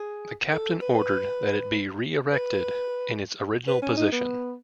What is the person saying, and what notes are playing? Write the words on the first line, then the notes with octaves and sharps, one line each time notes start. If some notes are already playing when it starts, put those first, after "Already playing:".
The Captain ordered that it be re-erected in its original position.
Already playing: G#4
A4
B4
B4
B4
C#4
D#4
B3